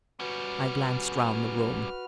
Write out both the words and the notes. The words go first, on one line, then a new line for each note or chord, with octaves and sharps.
I glanced round the room.
G3 C#4 F#4 B4 F6